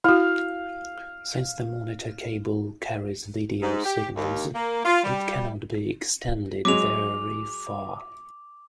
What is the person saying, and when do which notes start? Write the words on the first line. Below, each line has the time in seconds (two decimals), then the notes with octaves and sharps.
Since the monitor cable carries video signals, it cannot be extended very far.
0.04 E4 F#4 F5
3.61 G#2
3.84 G4
4.16 D#2
4.53 A#3
4.85 F4
5.04 G3
6.65 F#3 G#3 D6 F7